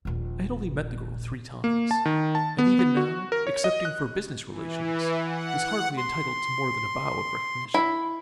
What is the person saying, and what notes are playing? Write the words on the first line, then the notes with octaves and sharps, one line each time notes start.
I had only met the girl three times, and even now, excepting for business relations, was hardly entitled to more than a bow of recognition.
D#1 A#1
A#3
A5
D#3
A5
B3
B3
F#4
A#4
C#5
D#5
F#6
E3
F#5
C6
E4 B5